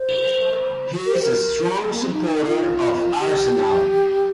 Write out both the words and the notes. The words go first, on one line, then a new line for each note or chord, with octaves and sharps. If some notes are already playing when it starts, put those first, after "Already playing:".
He is a strong supporter of Arsenal.
Already playing: C5
A#4
C5
A#4
A#3
C4
D#4
F4
G4